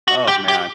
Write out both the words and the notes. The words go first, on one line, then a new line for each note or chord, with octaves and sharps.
Oh, man.
F#4
G4
G4